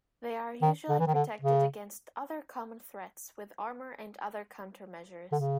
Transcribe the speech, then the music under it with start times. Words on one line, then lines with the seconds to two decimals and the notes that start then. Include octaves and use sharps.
They are usually protected against other common threats with armor and other countermeasures.
0.62 D#3
0.89 D3
0.99 E3
1.07 D#3
1.14 D3
1.42 C#3
5.32 D3
5.35 C#3